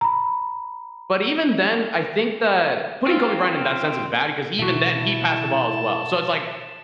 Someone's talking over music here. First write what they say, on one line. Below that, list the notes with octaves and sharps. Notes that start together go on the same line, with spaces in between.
But even then, I think that putting Kobe Bryant in that sense is bad because even then, he passed the ball as well. So, it's like,
A#5 B5
C4 F4
B2 E3 E4 F#4 E5 A5